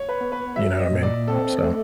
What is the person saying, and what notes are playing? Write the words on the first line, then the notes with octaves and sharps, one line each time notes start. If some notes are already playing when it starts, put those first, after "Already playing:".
You know what I mean? So
Already playing: C#5
B4
B3
B4
F#3 E5
D#5
A#2
D5
C4 A4
A3